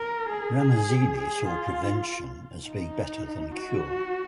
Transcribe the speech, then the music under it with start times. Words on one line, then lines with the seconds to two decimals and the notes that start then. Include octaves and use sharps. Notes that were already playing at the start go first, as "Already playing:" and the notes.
Ramazzini saw prevention as being better than cure.
Already playing: A#4
0.29 G#4
0.59 G#4
1.18 G#4
1.48 F4
2.66 D#4
3.55 F#4